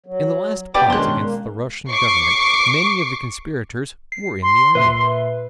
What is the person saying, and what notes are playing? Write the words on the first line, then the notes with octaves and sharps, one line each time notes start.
In the last plots against the Russian Government many of the conspirators were in the army.
F#3
C3 B3 G4 B4 D5
B2 D#3 G#3 C#4 D4 C6 F#6
A#3
C#6 D6 C7 C#7
C7
C6
A#2 B4 E5